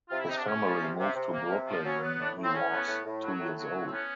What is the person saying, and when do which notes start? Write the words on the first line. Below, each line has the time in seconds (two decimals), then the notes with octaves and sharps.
His family moved to Brooklyn when he was two years old.
0.09 C3 F4
0.18 E4
0.28 C3 D#4
0.37 D4
0.45 C3 C#4
0.63 F3
0.81 C3
0.98 C3
1.15 C3
1.32 A#3
1.50 C3
1.67 F3
1.84 F#3 C#4
2.02 B3
2.19 A2 D4
2.36 A2
2.44 C4
2.53 A2 C#4
2.71 B3
2.88 A2
3.05 A2
3.23 F#3
3.39 A2
3.57 F#3
3.74 A2
3.86 C4
3.92 B3 C#4